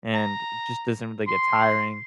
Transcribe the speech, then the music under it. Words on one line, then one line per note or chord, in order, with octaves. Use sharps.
and it just doesn't really get tiring.
A#5
C6